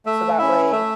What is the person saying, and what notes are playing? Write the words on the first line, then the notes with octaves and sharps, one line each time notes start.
So that way,
A3 E5
C#4 E4 E5
A3 E5